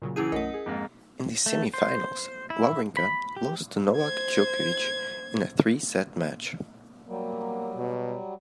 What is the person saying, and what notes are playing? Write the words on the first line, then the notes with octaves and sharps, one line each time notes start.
In the semifinals, Wawrinka lost to Novak Djokovic in a three set match.
A#2 C#3 F#3
E3 C#4 E4 G#4 D#7
B1 F#2 A3 A#4 D#5 F#5
G#4
F2 G#2 A#3
A3
C5
E4
B5
G4
C5 G#6
F#3 G3 A#3
B2